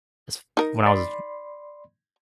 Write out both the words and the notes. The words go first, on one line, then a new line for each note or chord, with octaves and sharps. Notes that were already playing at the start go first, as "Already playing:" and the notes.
s when I was
D#4 A#4
D5 B5 C6